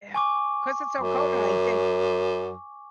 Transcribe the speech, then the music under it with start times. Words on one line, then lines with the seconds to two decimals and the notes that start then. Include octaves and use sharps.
ugh, 'cause it's so cold, and I think,
0.15 G#5 C#6 D6
1.01 F#2